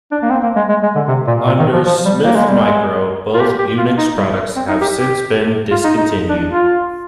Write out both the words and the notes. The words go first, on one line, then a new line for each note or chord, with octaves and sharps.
Under Smith Micro, both Unix products have since been discontinued.
D4
A#3
C4
A#3
G#3
G#3
G#3
D3
C3
A#2
A#2
D#3
F3
F3
G3
A#3
G#3
G3
G#3
F4
G4
G4
F4
D#4
G3
C4
D#4
G4
G4
F4
D#4
D#4
D4
F4